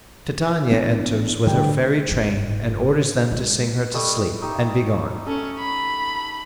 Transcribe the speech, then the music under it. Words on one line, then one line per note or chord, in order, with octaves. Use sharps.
Titania enters with her fairy train and orders them to sing her to sleep, and be gone.
A1 B3 D4
D2 D3 G3 G5
F#1 G#2
G#3
G3 A3 D#5
D#4 G4 E5
C#4 A4
B5